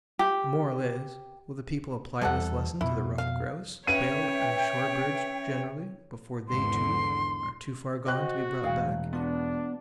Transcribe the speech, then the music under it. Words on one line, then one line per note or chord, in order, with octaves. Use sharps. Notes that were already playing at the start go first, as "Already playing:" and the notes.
The moral is: Will the People apply this lesson to the ruffed grouse, quail and the shore birds generally before they, too, are too far gone to be brought back?
G4
E2 C3 G3 A4 F#5
F2 B2 E4
F5
C#4 B4 C#5 E5 G5 D#7
G#1 E2 D3 C6
F#4 C5 D#5 G5 F#6
E1 A2 G#4 F5 G5
B3 D4 F4 F#4